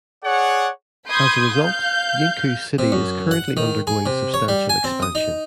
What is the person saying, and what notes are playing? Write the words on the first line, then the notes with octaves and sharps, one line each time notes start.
As a result, Yingkou city is currently undergoing substantial expansion.
G#4 C#5 D5 F#5
B5 C6 D#6 G6 G#6
F5 G6
C3
F#2
F#5
D#3
G#4
C3
C#5
G3
G#5
C4
D#6
D#4